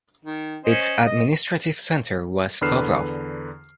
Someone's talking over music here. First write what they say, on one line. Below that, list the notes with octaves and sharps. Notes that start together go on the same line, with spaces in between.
Its administrative centre was Kovrov.
D#3
C#4 C5 D#5
D#5
E2 D3 B4 F6 C7 E7